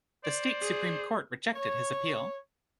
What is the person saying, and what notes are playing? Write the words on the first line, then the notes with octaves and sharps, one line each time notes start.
The State Supreme Court rejected his appeal.
C5 D5
G#4
C#5